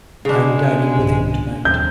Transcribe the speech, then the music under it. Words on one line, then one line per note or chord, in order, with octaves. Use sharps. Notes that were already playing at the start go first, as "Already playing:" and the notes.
I'm dining with him to-night.'
C#3 G#3 D4
C2 G#2 D#3
D#2 F#3 C4 C#4 G6